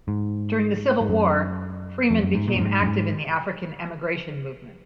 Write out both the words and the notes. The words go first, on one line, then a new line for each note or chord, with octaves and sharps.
During the Civil War, Freeman became active in the African emigration movement.
G#2
G#2
F#2
F2
F#2
G#2
A#2
F#2
G#2
F#2
G#2